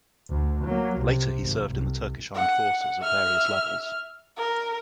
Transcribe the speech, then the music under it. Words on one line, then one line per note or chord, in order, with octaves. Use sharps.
Later he served in the Turkish Armed Forces at various levels.
D2
F#3 A#3
C2 C3
G#1
C2
F#5
E5 F6
A#4